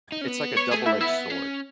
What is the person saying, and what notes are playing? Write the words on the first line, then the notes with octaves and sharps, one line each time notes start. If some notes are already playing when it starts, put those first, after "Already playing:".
it's like a double-edged sword,
D#4
C#4
B3
C#5 C#6
A3 G#4 G#5
E4 E5
B3 E4 E5
C#4